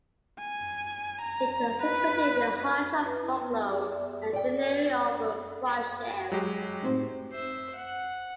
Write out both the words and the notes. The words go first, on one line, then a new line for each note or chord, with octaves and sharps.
It was situated in the hundred of Bucklow and deanery of Frodsham.
G#5
A#5
B4
B4
E4
B3
G#4
E5
D5 G5
F#3 G#3 G4
A2 C4 D#4
C5 E5
F#5